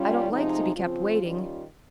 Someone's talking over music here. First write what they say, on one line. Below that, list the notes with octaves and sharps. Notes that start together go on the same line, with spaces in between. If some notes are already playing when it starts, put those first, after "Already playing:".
I don't like to be kept waiting.
Already playing: G3 C#4 F4
C3 F3 G#3 D#4
C#3 F3 C4 F4
D#3 G3 C#4 F4